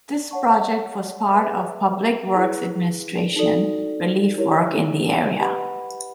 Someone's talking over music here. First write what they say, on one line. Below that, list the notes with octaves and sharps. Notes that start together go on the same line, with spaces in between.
This project was part of Public Works Administration relief work in the area.
C#5 F#5 A5 C#6
G#4 B4 E5 A5 D6
E4 G#4 B4
D#4 F#4 A4 D5
E4 G4 A#4 C#5
G4 B4 D#5 F#5 B5